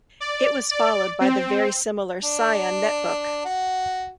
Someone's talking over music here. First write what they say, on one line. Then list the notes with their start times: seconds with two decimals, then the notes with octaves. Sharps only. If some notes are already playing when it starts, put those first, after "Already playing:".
It was followed by the very similar Psion netBook.
0.20 D5
0.71 D5
1.21 C4
2.24 D4
3.45 F#4